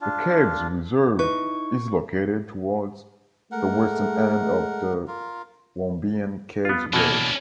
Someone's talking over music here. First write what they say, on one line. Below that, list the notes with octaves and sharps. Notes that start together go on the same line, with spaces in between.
The caves reserve is located towards the western end of the Wombeyan Caves Road.
D4 F4
D#4 E4 B4 C#6
G#3 A3 A#4 F#5
F4 A#4
B3 F4
B2 E3 A#3 C#4 D4